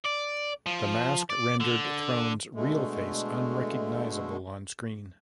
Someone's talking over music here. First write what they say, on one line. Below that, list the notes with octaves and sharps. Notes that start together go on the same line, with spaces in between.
The mask rendered Throne's real face unrecognizable on screen.
D5
F3
D5
D3
B2 D3 G#3 A3